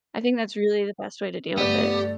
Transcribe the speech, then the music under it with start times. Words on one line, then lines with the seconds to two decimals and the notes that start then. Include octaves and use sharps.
I think that's really the best way to deal with it.
1.58 G2 D3 A3 B3 G4 D5